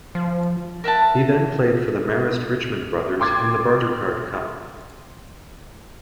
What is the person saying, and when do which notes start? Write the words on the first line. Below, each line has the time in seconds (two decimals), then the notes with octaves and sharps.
He then played for the Marist Richmond Brothers in the Bartercard Cup.
0.15 F3
0.84 A#4 E5 F#5 A5
3.20 G5 C6 D6 G#6 A6